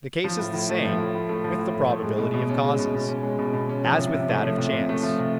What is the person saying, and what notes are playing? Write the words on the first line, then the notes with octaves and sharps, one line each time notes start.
The case is the same with the probability of causes, as with that of chance.
F3
A2
A2
A3
F3
A2
A2
A3
F3
A2
A2
A3
G#3
B2
B2
C#4
G#3
B2
B2
C#4
G#3
B2
B2
C#4
F3
C3
C3
A3
F3
C3
C3
A3
F3
C3